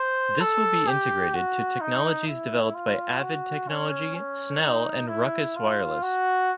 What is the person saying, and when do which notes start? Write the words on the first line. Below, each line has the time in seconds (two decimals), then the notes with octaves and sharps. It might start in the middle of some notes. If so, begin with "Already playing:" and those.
This will be integrated to technologies developed by Avid Technology, Snell, and Ruckus Wireless.
Already playing: C5
0.40 A4
0.88 G4
1.35 F#4
1.81 D#4
2.28 E4
2.74 F4
3.22 F#4
3.68 C#4
4.15 C#4
4.62 D#4
5.08 E4
5.56 F4
6.02 F#4